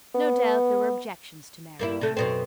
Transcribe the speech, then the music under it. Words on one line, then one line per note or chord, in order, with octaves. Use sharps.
No doubt there were objections to marriage.
B3
G2 A#3 E4
C3 A3
F#2 B2 C4